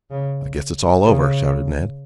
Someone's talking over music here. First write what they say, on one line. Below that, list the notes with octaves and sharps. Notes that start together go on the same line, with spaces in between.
"I guess it's all over," shouted Ned.
C#3
C#3